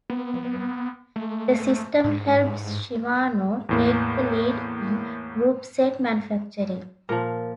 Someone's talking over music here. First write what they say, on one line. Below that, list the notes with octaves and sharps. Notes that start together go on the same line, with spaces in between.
This system helped Shimano take the lead in groupset manufacturing.
B3
A3
G#2
E2 A2 A#3
A#2 F3 A#4 A#5